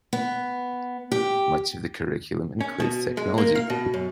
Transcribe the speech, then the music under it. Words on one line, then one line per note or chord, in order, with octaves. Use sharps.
Much of the curriculum includes technology.
B3
G4
C#4
B2
G#3
A#3
F5
B2
F#2